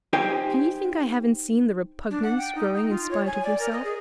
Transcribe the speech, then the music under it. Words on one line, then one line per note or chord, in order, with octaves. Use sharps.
Can you think I haven't seen the repugnance growing in spite of yourself?
D#4 G4 C5 G5 G#5
D4
F#5
G5
D#4
D#4
F4
C#5
G#5
D5
A#4
D#5
G#4